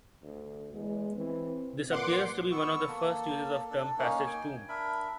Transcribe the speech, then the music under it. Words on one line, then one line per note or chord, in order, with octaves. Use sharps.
This appears to be one of the first uses of the term passage tomb.
D2
E2 G#3
E3 C4
A#2 B4 F#5 C6 D6
B3 C#6 E6
A#3 A4
D4 A4
A#3 C#4 D#4
G5 G#5
D4 A#4 E5 B5